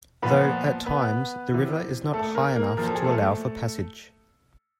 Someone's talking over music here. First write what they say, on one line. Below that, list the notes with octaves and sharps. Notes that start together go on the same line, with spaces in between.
Though, at times, the river is not high enough to allow for passage.
A#2 F3 B3 B4
B3 B4
C3 E3
A3 A4
A#3 A#4
A#3 A#4
A#2 F3 A#4
A4
G#4
A3 A4